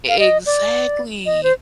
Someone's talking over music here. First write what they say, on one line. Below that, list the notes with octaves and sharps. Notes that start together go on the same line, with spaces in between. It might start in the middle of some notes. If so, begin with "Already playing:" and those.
E exactly.
F5
D#5
D5
D#5
C5